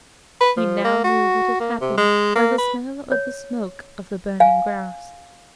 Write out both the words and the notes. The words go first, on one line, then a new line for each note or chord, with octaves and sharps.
He now knew what had happened by the smell of the smoke of the burning grass.
B4
F3
A#3
F#4
A#3
C3
G#3
A#3
B4
C#5
F5 G#5